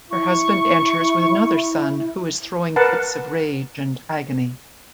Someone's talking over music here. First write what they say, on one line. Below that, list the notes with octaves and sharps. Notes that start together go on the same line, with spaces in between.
Her husband enters with another son who is throwing fits of rage and agony.
E4 C#6
A#4 B4 F#5 A5